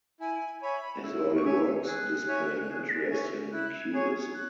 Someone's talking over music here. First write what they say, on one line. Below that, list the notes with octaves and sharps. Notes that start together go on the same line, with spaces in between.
His early works display an interest in cubism.
E4 G#5
C#5 E5 G#5 B5
E4 E6
C#6
C#5 E5 G#5 E6
G#4 F#6
C#5 E5 G#5
G#4
C#5 E5 G#5
E4 F#6
G#6
G#4 C#5
G#6
F#6